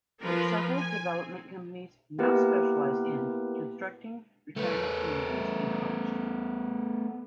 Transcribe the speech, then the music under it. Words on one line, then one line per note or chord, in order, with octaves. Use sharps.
Several development companies now specialize in constructing retirement communities in college towns.
F3 A#4 B4
G#5
C4
A#3 B3 E4 G4 A#4 B4
A3 B3